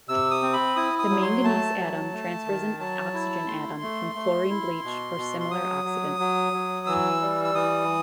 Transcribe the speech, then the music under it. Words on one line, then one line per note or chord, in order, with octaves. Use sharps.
The manganese atom transfers an oxygen atom from chlorine bleach or similar oxidant.
C3 E6
D#6
C4
B5
E4 D#6
D#6
F#3
C6
A3 A5
F#3
A3
D#3
F#3 A5
E4
A3 C6
A3
A3
E4
B2
B2
C6
F#3 D#6
F#3
F#3
F#3
E3 E6
G3
E6
E3 D#6